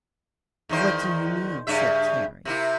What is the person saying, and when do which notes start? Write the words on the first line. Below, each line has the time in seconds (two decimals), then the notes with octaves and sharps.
"What do you mean?" said Carrie.
0.69 E2 D#3 C5
1.67 G2 C#3 E5
2.45 C3 A#3 E4